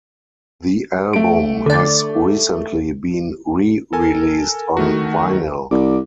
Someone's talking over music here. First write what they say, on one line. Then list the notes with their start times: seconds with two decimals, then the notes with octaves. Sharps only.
The album has recently been re-released on vinyl.
1.13 A3 D7
1.66 D3 D5
3.93 A4 A#4 G#5
4.77 D#3 A3 F#4
5.71 C2 D6